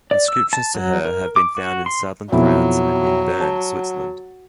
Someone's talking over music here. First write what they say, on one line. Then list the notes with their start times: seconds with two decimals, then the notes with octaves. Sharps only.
Inscriptions to her have been found in southern France and in Bern, Switzerland.
0.11 D5
0.28 E6
0.53 A5
0.75 F#3
1.05 A#4
1.36 D6
1.57 F#4
1.86 C6
2.32 F2 B2 F#3 E4
3.40 A5